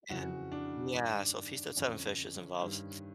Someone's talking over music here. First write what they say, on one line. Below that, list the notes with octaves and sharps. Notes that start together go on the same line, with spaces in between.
and Yeah, so, Feast of Seven Fishes involves
F2 C#3 E3 F#4
D4
G2 D#3 D4
F2 D3 C#4
G2 D#3